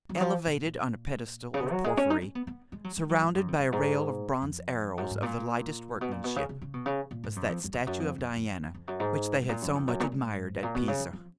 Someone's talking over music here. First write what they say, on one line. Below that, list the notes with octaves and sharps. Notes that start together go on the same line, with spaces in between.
Elevated on a pedestal of porphyry, surrounded by a rail of bronze arrows of the lightest workmanship, was that statue of Diana which they had so much admired at Pisa.
F#3
D#3
F3
A#2
A#2
C#3
B2
F#3
G#3
C#4
D#4
C#4
B3
B3
G#3
F#3
G#3
F#3
G#2
F#2
F2
F#2
G#2
F2
F#2
G#2
A#2
B2
A#2
B2
C#3
C#3
C#3
B2
C#3
A#2
G#2
F#2
F2
F#2
F2
F#2
F2
F2
F2
F2
F#2
G#2
G#2
A#2
F#2
F2
F#2
A#2
G#2
A#2
B2
C#3
F3
F3